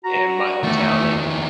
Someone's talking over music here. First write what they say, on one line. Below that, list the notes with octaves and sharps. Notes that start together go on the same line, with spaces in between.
in my hometown, and
F#4 A#5
E2 D#3 A3